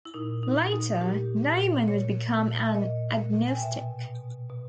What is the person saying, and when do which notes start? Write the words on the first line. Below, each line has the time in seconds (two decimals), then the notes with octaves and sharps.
Later, Neyman would become an agnostic.
0.05 E4
0.14 A#2 D#4
0.43 D#4
0.58 A#2
0.72 D#4
1.01 A#2 G4
1.45 A#2
1.88 A#2 C#5
2.31 A#2
2.65 E5
2.75 A#2 D#5
3.19 A#2
3.48 G#5
3.55 G5
3.62 B2 E5
4.05 B2
4.49 B2